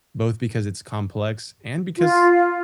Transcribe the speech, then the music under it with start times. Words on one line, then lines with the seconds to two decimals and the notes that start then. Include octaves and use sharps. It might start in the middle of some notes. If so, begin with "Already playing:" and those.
both because it's complex and because
1.96 F4